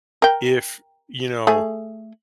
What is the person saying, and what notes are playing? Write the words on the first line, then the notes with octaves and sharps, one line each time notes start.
if, you know,
A#4 G5
A3 G#4